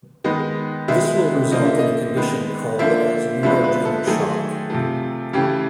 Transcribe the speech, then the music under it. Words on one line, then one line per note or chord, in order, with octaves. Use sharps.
This will result in a condition called as neurogenic shock.
D#3 G#3 B3 D#5
D#3 G#3 B3 E5
D3 F3 A#3 D#5
E5
D#5
D#3 G#3 B3
D3 F3 A#3 E5
D3 F3 G#3 B3 E5
B4
A4
D#3 F#3 A3 G#4
C3 F3 A3
C#3 E3 A3 G4